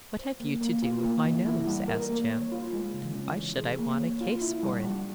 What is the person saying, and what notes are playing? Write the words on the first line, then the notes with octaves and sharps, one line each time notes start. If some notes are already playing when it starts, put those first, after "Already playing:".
'What have you to do with my nose?' asked Jem. 'And why should I want a case for it?'
C5
A#3
A#3
F4
A#3
E3
E4
G3
A#4
A#3
C#5
F4
G#3
C#3
C#4
E3
G#4
A#3
C#5
F4
E4
G3
G3